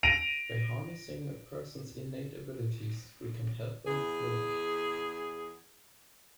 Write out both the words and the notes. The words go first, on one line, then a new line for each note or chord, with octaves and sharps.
By harnessing a persons innate abilities we can help them flourish.
A#6 D7 D#7 F7
E2 G#4